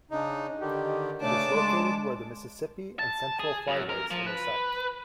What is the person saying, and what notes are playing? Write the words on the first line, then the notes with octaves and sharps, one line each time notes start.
It is located where the Mississippi and Central Flyways intersect.
C#3 D4 D#4 D#5
D3 D#3 G4
C#3 A3 D4 C#5 A5 D6
G#3 C6
A5
G#4
F#2
A#4
F3
B4